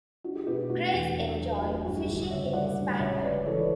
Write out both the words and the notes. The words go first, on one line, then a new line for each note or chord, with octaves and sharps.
Craze enjoyed fishing in his spare time.
D4 F#4
G4
B2 G4 B4
G4
A3 F#4
G4
F#4
E2
D4
F#3
A3 G4
F#4
G2 F#4
G4
D2 G4
C#3 C#5 E5
G3 D5 F#5
D2
C#2 C#5 E5
C#3 B4 D5
E3 A4 C#5
B4 D5